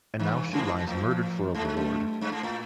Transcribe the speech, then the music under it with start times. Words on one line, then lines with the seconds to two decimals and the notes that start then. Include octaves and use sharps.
And now she lies murdered for a reward!
0.19 G2 E3
0.53 G#2 E3
0.86 A2 F3
1.54 G#2 A3
1.65 G2
1.77 F#2
2.21 G2
2.32 G#2
2.43 A2